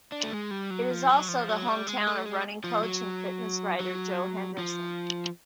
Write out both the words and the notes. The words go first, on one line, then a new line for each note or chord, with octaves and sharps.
It is also the hometown of running coach and fitness writer Joe Henderson.
D4
A3
G#3
G3
F#3
F3
F#3
F3
F#3
G3
G#3
A3
G#3
F3
F#3
F#3
F3